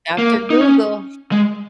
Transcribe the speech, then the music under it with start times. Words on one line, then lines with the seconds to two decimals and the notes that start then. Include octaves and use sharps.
After Google,
0.18 A#3
0.50 D#4
0.61 C#4
1.32 G#3